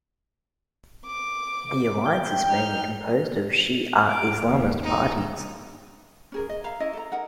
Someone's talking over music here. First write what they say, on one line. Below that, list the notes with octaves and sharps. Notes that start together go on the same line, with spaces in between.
The Alliance is mainly composed of Shi'a Islamist parties.
D6
G5
D#4 F6
D6
D#2
D#4
C#4 G#4 A#4
D#5
E5 F5 A#5
C#4 E4 D#5
A4 D5 A#5
D#4 A#4 F#5